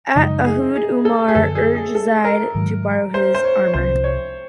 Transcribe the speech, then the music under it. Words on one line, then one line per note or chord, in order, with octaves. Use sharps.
At Uhud Umar urged Zayd to borrow his armour.
F#2 C#3 F3 G#3 D#4
G#4
G#4
A4
G#4
F#2 D3 F3 A#3 A4
G#4
G#4
A4
A#4
G#2 D#3 F#3
C5
C5
C#5
C#5
C2 C3 F3 C5
C#5